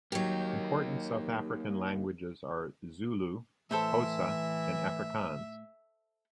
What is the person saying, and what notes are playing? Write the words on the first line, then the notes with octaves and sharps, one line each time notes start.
Important South African languages are Zulu, Xhosa and Afrikaans.
F#3 A#3 D#4 G4
A2 E3 A4 C5 E5 B5